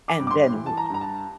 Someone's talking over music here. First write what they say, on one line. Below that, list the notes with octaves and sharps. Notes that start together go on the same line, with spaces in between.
and then, w
D6
G2
D6
C6
E3
A5
A#5
G2 A#5
A5